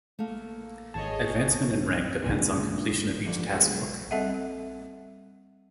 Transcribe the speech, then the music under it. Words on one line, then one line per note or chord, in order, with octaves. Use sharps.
Advancement in rank depends on completion of each taskbook.
A3 A#3 F5
G#1 G#4 C#5 D#5 A5
D2 A#2 C#3 G#3 D4 G#5
D3 F3 A3 D5
B1 B2 F#3 G#3 C4
G3 C4 A4 D#5 E5 F#5